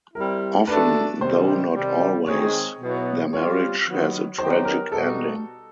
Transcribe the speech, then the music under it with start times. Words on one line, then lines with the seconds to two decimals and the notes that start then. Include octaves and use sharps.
Often, though not always, their marriage has a tragic ending.
0.14 G3 C4 E4 A#4
0.67 A3 D4 F#4 A4 B4
1.21 C3 D#3 G3 C5
1.74 C3 D#3 G3
2.26 D#3 G#3 C4 D#4 G#4 C#5
2.79 B2 F#3 B3 E4
3.33 G3 C4 F4 C#5
3.86 D#3 F#3 B3
4.38 D#3 F#3 B3 D#4 G4 C5
4.65 A#4
4.91 B2 G3 B3 D#4 F#4 A4